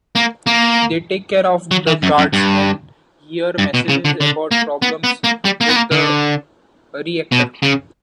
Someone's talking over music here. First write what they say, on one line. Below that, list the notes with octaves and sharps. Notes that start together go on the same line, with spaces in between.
They take care of the guards, and hear messages about problems with the reactor.
A#3
A#3
F#3
E3
F#2
F#2
G2
G2
B2
C#3
D3
D3
A#3
B3
B3
A#3
G3
A#3
B3
A#3
D3
B2
C#3